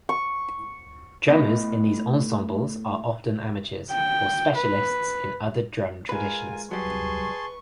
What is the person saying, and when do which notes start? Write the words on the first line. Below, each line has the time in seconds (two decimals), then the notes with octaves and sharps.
Drummers in these ensembles are often amateurs, or specialists in other drum traditions.
0.09 C#6
1.28 A2 B3 D#5
3.91 G5
4.55 B4
6.09 G#3 F4 A#4 B4 G#5
6.71 F#3 G3 G#4 B4 A5 C6 C#6